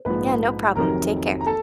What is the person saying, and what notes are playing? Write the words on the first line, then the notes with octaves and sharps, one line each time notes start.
Yeah, no problem, take care.
A#1 G#2 F3 B4 B5
F1 F2 C3 D#3 F#3 A#4 A#5
A#5
A4 A5